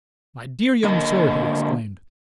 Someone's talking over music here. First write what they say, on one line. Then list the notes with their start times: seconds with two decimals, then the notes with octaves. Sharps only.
"My dear young sir!" he exclaimed.
0.84 D3 A#3 A#4 D#5